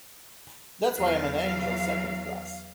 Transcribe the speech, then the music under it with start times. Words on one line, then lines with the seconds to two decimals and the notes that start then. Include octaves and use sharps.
That's why I'm an angel Second Class.
0.95 E2 E3 F#3 F5